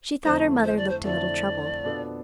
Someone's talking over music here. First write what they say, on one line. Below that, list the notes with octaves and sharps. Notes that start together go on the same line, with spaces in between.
She thought her mother looked a little troubled.
F2 D3 A3 E4 C5
C5
D5
C5
F2 D3 A3 E4 D5
B2 B3 D4 F4 A4